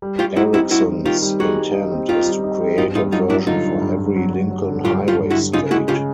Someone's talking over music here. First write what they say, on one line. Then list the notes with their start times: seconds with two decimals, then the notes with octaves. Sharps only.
Erickson's intent is to create a version for every Lincoln Highway state.
0.02 G3
0.19 G3 F4 G4
0.36 D#4 E4 F#4
0.53 C4 E4 F#4
0.71 G3 E4 F#4
0.89 D#3
1.05 D#3 F4 G4
1.22 G3
1.40 D#4 F#4 G#4
1.58 G3
1.74 D#4
1.91 C4
2.09 D#4 F4 G4
2.26 G3
2.44 D#4
2.60 C4
2.78 G2 D#4 F4
2.95 G2 D#4 F4
3.12 F#3 D#4 F4
3.30 G2 D4 E4
3.47 D3 D#4 F4
3.64 D3
3.82 G2
3.99 G2
4.16 F#3
4.33 F#3
4.51 F#3
4.68 D3
4.84 G2 F4 G4
5.02 G2
5.08 F4 G4
5.19 G2
5.30 E4 F#4
5.37 D3
5.53 C#3 D#4 F4
5.71 G#3 E4 F#4
5.88 C#3 F4 G4